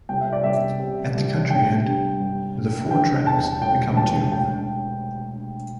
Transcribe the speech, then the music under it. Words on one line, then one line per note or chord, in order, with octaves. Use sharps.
At the country end, the four tracks become two.
C2 G5
E5
D5
C2 E5
C3
C2
G1 G5
G2
G2
G1
D3 G5
E2 A5
E1 G5
E1 A5
D2 G5